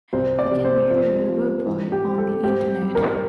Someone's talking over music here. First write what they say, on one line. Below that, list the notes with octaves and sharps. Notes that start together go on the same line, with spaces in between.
It can be heard worldwide on the internet.
C2 C5
D5
C3
C5
F3 C5
F3
E3
G4
C4
A4
C4 G4
G3
A#4